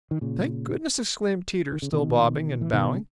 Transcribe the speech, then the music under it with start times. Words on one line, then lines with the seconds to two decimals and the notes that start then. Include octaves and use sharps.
"Thank goodness!" exclaimed Teeter, still bobbing and bowing.
0.11 D#3
0.21 A#2 C#3
1.72 D#3
1.82 C#3
1.92 B2 D#3
2.61 E3
2.73 B2 D#3
2.94 C#3